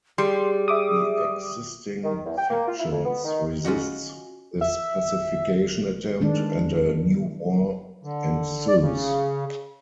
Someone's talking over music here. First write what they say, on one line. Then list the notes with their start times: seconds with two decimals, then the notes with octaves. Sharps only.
The existing factions resist this pacification attempt, and a new war ensues.
0.18 G3 G#4 C6
0.68 E5 D6 D#6
2.04 D#3
2.26 E2
2.37 G5
2.50 A#3
2.67 F4
2.80 E4
2.92 F2
3.05 B3
3.25 D#3
3.65 C#4 D4 F4 F#4 D#5 F#5
4.61 E5
6.21 D#3 G#3 D4
8.03 D3
8.67 D5
8.81 C#3